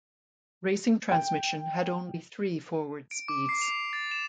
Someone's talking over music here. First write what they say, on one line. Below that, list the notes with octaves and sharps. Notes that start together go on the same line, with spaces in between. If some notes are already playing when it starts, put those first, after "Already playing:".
Racing transmission had only three forward speeds.
G5
D7
D6
C7
F7
A6
E7